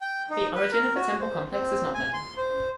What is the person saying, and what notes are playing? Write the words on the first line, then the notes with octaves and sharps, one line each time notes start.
The origin of the temple complex is not known.
G5
D#4
B4
A#4
F#4
C5
C4
G#5
C6
C5